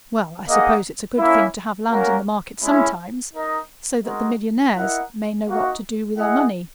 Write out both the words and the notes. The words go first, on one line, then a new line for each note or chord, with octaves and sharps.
"Well, I suppose it's a good thing to have land in the market sometimes, so that the millionnaires may know what to do with their money."
A#3 D#4 G#4 D#5 F#5
A#3 C#4 E4
A#3 C#4 F#4 A#4
G#3 C#4 E4
D#4 A#4 D#5
G#3 D#4 F#4 A#4
E4 A#4 D#5 F#5
A#3 D#4 F#4
E4 G#4 D#5 F#5